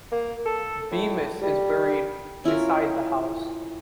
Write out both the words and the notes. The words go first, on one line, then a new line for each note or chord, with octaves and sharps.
Bemis is buried beside the house.
A#3
A4
A2
G3
C#4 E4 F4 A#4